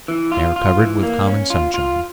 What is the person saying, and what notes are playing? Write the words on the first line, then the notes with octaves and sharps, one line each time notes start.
They are covered with common sunshine.
E3
F4
F4
E3
A#3
C#4
F4
F4